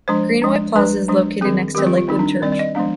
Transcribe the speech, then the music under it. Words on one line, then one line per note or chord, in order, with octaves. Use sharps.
Greenway Plaza is located next to Lakewood Church.
F3 G#3 D4 C5
F3 G#3 D4
F3 G#3 D4 B4
F3 G#3 D4
D#3 G3 C4 G#4
D#3 G3 C4 G4
F4
F4
D#3 G3 C4 D#4
D4
D#3 G3 C4 D5
D5
D#5
F3 G#3 B3 D4